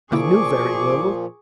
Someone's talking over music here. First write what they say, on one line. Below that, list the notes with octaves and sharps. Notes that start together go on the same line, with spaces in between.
I knew very little.
A#2 D3 F3 A#3 E4 G#4 C#6 D6